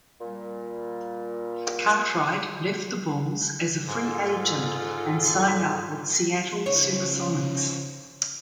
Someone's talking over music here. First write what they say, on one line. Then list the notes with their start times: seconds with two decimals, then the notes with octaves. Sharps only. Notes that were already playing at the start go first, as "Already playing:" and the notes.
Cartwright left the Bulls as a free agent and signed with the Seattle SuperSonics.
0.21 A#2 G3
3.86 G#2 F4 A4
6.66 D#2 C#3 F3 C#4 D#4 C#5